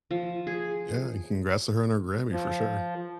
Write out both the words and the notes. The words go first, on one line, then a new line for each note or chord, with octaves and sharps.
Yeah, and congrats to her on her Grammy, for sure.
F3
G#4
F3